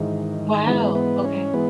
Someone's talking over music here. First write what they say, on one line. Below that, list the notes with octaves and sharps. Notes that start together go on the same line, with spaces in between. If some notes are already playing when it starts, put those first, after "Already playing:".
Wow, okay.
Already playing: G#2 D#3 E3 G#3
G#2 E3 G#3 B3
B3
C#4
E3 G#3 B3